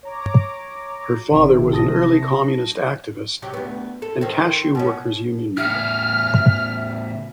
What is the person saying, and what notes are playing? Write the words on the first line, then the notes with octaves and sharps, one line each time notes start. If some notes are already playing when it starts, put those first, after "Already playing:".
Her father was an early communist activist and cashew workers union member.
C#5 A#5 D6
G1 C3 D#3
A5 D#6 A#6
C3 F#3 G4
D2 B3
A4
D#3 C4
B2 F3 C#4
A2 C#3 E5 F6